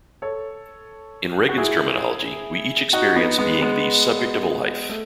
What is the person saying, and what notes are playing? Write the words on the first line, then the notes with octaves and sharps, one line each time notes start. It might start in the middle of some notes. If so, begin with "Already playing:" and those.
In Regan's terminology, we each experience being the subject-of-a-life.
A4 C#5
F#4
E4 G#4
D#4 F#4
B3 D#4
G#3 B3
G#3 B3
A3